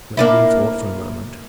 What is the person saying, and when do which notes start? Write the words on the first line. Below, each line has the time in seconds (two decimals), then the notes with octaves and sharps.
Gwendolen thought for a moment.
0.17 A#3 D4 E4